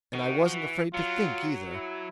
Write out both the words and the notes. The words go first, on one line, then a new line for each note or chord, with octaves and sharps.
And I wasn't afraid to think either.
D#3 F#4
F3
E3
F#3 F4
E4